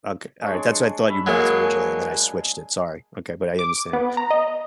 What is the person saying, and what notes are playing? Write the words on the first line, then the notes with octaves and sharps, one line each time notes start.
Okay, all right, that's what I thought you meant originally, and then I switched it, sorry. Okay, but I understand.
G#3 D4 C#5
E5 B5
F#3 G#3 A#3 G#4
D6
B3
A#5
D#5